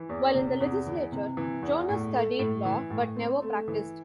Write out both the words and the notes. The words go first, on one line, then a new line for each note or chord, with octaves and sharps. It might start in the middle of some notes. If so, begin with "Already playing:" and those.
While in the legislature, Jones studied law, but never practiced.
Already playing: E3
E2
C3
E2
E3
C3
E3
E2
A2
A3
A2
E3
A2
C4
A3
E3